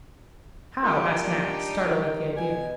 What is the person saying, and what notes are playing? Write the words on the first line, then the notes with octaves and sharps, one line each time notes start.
"How?" asked Nat, startled at the idea.
A#2 G3 D#4 G4
D4
D#3
B2 G#5